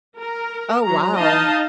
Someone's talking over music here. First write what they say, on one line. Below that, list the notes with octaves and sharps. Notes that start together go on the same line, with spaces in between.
Oh, wow.
A#4
F#3 A#5
D#4 D#5 F5 A5